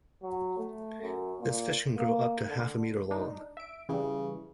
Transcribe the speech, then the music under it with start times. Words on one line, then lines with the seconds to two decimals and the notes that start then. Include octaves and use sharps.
This fish can grow up to half a meter long.
0.23 F#3
0.58 A3
1.02 F#2
1.40 A#2
1.97 A#3
2.49 D3
3.11 D4 D#4
3.57 E5 D7
3.89 C#3 E3 G3